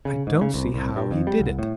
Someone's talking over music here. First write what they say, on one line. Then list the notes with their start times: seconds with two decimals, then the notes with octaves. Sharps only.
"I don't see how he did it."
0.05 C#3
0.27 G#2
0.41 C#3
0.54 C2
0.74 C2
0.96 G2
1.11 F2
1.27 G3
1.40 C2
1.59 A2